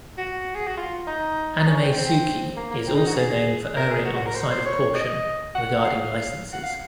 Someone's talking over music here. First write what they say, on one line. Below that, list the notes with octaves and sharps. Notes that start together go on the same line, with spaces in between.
AnimeSuki is also known for erring on the side of caution regarding licenses.
F#4
G#4
F#4
F4
D#4
D#4
C#4
C4
C4
A#3
A#3
C4
D#4
F#4
G#4
A#4
G#4
F#4
F#4
A#4
C5
C5
C#5
D#5
F#5
F5
F#5
F5